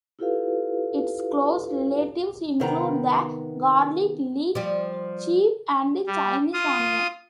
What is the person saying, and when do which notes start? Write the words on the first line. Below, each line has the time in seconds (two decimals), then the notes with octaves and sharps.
Its close relatives include the garlic, leek, chive, and Chinese onion.
0.19 E4 F4 G4 A4 B4 F5
2.60 C3 D#3 B3 A#5
4.55 F3 G3
6.07 G3
6.53 F4 D#6